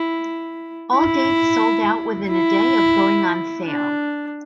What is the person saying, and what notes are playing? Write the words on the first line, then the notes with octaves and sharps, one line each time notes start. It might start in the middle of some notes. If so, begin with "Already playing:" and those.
All dates sold out within a day of going on sale.
Already playing: E4
E4
E4
D4